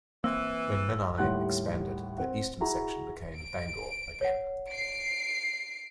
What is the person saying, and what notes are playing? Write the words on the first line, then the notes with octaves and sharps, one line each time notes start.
When Menai expanded, the eastern section became Bangor again.
E3 A#3 C4 E6
D#2 A2 G3 F#5 C6 F#6
C4 F#5
E4 F#4 G#4 A#5
D7
C#5 F#5
C7 D7